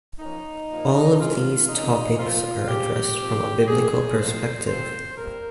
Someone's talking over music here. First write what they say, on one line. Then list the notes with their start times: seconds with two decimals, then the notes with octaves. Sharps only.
All of these topics are addressed from a Biblical perspective.
0.19 F3 A#3 C#4 D#4
0.69 A#2 F3 A#3
1.19 C#3 G#3 C4 F4
1.69 A#2 G#3 C#4 D#4
2.19 A#2 F3 C4 F4
2.69 C#3 G3 C4 G4
3.19 F3 C4
3.68 C3 F3 C4 G#4
4.19 F3 G#3 C4 C5
4.68 F3 C4 C5
5.18 A#2 G3 C4 A#4